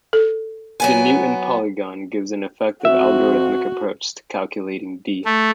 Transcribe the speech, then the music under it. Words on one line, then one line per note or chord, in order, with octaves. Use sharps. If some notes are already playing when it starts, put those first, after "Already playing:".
The Newton polygon gives an effective, algorithmic approach to calculating "d".
A4
F#3 B3 G#5
F2 C4 F#4 E5
A3